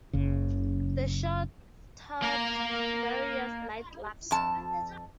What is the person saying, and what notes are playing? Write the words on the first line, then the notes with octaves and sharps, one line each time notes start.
The show toured various nightclubs.
F#1 C#3
A#3 A#4
F2 A5